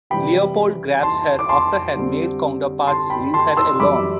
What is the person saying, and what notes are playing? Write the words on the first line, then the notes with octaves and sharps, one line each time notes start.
Leopold grabs her after her male counterparts leave her alone.
C3 E3 G3 D4 G5 B5
A5 C6
D6
A5 C6
D3 G3 C4
A5 C6
G5 B5
A5 C6
C6 E6
F#2 E3 G3 D4 B5 D6